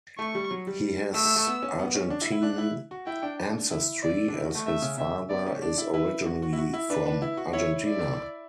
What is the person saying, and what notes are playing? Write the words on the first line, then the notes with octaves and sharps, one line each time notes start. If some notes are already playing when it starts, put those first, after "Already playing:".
He has Argentine ancestry as his father is originally from Argentina.
A3 C#6
G3
F#3
G3
A3 E6
A3
A3
B3
C#4
B3
C#4
D4
E4
E4
D4 F#6
E4
F#4
E4 G5
D4
E4
D5
D4
E4
F#4
A3
A3 E5
C#3
C#3 E5
B3 D5
C#4
D4 D5
E4
E4 B4
F#4
F#4
E4
F#4
E4
D4 B4
D4
E4
F#4
E4 C#5
D5